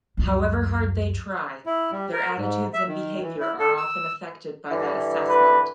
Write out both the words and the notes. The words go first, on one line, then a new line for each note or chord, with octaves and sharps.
However hard they try, their attitudes and behaviour are often affected by that assessment.
C#2 F#2
E4
G3
A#4
G#2
E5
D#3
E3
E4
A4
E6
G2 D3 E3
B4